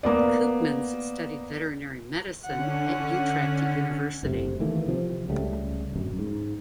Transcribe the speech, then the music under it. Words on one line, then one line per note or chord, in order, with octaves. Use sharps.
Koopmans studied veterinary medicine at Utrecht University.
A#3 B3 D5
D3 C#4 F#5
F#1 D2 C3
D#3 E3 A3 A#3
C3 F3 C4
C#2 C#3 G3 A3
D1 F#2
G#2